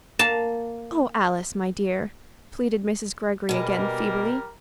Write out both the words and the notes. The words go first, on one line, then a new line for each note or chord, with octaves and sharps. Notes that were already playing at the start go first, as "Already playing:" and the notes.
"Oh, Alice, my dear," pleaded Mrs. Greggory again, feebly.
A#3 A5
B2 G3 G#3 A#3 A#4